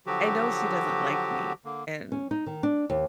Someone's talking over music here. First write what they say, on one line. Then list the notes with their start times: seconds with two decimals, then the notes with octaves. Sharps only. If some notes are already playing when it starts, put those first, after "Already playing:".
I know she doesn't like me, and
0.07 D3 F3 F#3 F#4 G4
1.65 D3 A#3
2.12 C#4
2.31 D#4
2.46 D#3
2.63 D4
2.90 D#2